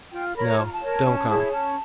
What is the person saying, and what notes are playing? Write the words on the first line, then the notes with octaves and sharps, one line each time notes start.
"No. Don't come!"
F4 G5
A#4 C#5 B5
A#5
F4 A5
A#5
A5
A#4 C#5
C#4
E4 G#4 C#5
C#4